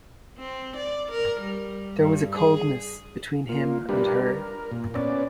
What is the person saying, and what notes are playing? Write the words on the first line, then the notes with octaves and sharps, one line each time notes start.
There was a coldness between him and her.
C4
D5
A#4
G3
G2
G#4
A#3 F4
G3 D4 G4 A#4 B4
A#4
A#2
B3 C#4 D5